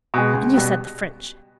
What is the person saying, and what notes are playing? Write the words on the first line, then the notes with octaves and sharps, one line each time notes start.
And you said the French...
B2 G#3
C#2
B2 G3 B3